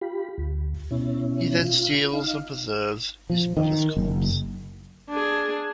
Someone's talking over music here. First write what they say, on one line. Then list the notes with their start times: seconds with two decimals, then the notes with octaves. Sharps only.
He then steals and preserves his mother's corpse.
0.01 F4 G4 B5
0.38 D2
0.91 B2 C#4 E4
1.59 F4
2.13 D#4 F5
3.30 F3
3.57 D#3
3.97 F#1
5.10 D4 G#4